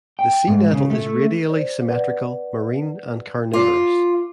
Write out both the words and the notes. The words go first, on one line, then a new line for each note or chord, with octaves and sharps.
The sea nettle is radially symmetrical, marine, and carnivorous.
G5
G#2
C#3
A3
C5 D5
B4 D5 F#5
F4 D6 C7